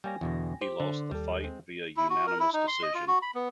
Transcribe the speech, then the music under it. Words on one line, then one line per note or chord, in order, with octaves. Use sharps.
He lost the fight via unanimous decision.
G3 A#3 C#5 G5 G#5 A#6
E2 B2 D3
G4 C5
D3
D#2 G3 A4
G#3 C4
E4
F#4
A#4
E4
D#4
C6
D#5
F4
F#4
B5
B3